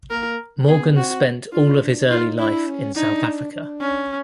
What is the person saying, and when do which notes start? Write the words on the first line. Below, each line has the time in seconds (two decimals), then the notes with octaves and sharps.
Morgan spent all of his early life in South Africa.
0.10 A#3 A#4
0.68 B3 G#4
0.96 C4 F#4
1.53 D4 F4
1.81 D4
2.10 D#4 F4
2.39 D4 E4
2.67 C#4
2.96 D4 D#4
3.52 D4
3.81 C#4